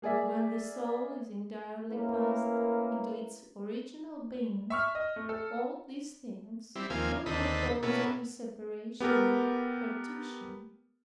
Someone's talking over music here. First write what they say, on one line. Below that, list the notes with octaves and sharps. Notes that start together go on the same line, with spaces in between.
But when the soul is entirely passed into its original Being, all these things no more cause any separation or partition.
A#3 G#4 D5 E5
A3 A#3 C#4 E4 A#4 B4
E5 C#6 F6
D#5
A3
A4
G3 C4 E4
D#2 F3 A#3 C4 F5 G#5
D#2 D3 C4 A4 D#5 B5
B2 A#3 B3 C#4 E4 A4
B3 G4 A4 A#4